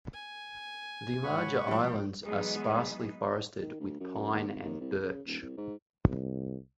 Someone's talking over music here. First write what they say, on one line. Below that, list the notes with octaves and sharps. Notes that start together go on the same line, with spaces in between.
The larger islands are sparsely forested with pine and birch.
G#5
G#2 C#5 F#5 B5 C#6
F3 G3 G#3 G5
E3 F#3 G#3 B3 D#4 G#4
D#3
D2
F#2
D#2
G#1
D#2
C2
C#3
D#1
C2
G#2
C2